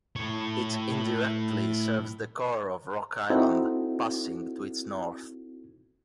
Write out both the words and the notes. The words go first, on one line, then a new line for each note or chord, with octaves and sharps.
It indirectly serves the core of Rock Island, passing to its north.
A2 C#5
C4 D#4 E4 F#4 A4